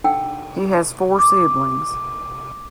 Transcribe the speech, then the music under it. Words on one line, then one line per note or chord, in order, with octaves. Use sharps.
He has four siblings.
D4 D#4 A4 F#5 G5 E6
D6